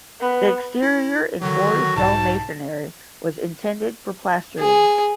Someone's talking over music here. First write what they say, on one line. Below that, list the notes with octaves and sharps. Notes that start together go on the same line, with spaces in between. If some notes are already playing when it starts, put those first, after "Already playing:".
The exterior in quarry stone masonry was intended for plastering.
B3
E4
D3 D#3 F#3 F#4
B1 G#2 B2 A5
G#4